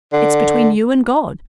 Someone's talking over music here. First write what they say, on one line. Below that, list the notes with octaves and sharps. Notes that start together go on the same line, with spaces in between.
It's between you and God.
D3